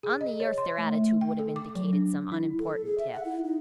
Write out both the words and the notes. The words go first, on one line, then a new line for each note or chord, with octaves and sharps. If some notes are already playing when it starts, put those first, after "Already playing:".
On the earth, their attitude would have indicated some unimportant tiff.
G#4
D#5
C#5
C6
A3
A3
G5
A4
D6
F#3
D4
E4
A4
G#4
E5
F#5
E4
D#4